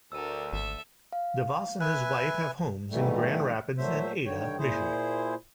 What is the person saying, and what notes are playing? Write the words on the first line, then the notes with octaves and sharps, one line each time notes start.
DeVos and his wife have homes in Grand Rapids and Ada, Michigan.
D2 A4 A#4 E6 D#7
G#1 A4 E5
F5
B4 E5 G#5 F#6
G#2 B2 D#3 E3 G3 A3
A#2 F#3 A3 C5 E5
G2 D3 D#3 C#5 G5
A#2 E4 G#4 C5